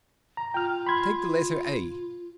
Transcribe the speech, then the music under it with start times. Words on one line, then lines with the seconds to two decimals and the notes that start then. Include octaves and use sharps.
Take the letter a.
0.37 A#5
0.54 F4 G5 F6
0.87 B5 C6 G#6